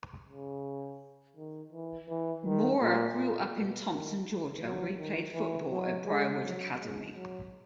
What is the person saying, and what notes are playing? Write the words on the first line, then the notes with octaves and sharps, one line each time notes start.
Mohr grew up in Thomson, Georgia, where he played football at Briarwood Academy.
C#3
D#3
E3
E3
D#3
A#2
A#2
B2
D#3
F#3
D#3
E3
F#3
G#3
F#3
G#3
F#3